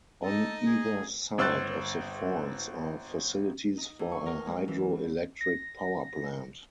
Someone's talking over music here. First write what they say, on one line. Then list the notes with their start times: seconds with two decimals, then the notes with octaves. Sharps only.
On either side of the falls are facilities for a hydroelectric power plant.
0.24 D#4 A4 D#5
0.66 G#4
1.38 G1 C5 E6 F#6 A6
3.77 D#4
3.99 E2
4.12 C#6
4.26 A#4
4.46 G#3
4.68 E3
5.41 A#6